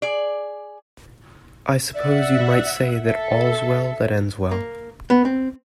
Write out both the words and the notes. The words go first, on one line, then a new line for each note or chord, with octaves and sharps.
I suppose you might say that all's well that ends well.
G#4 D5
D5 E5 F#5
A4 E5
A#3
B3
C4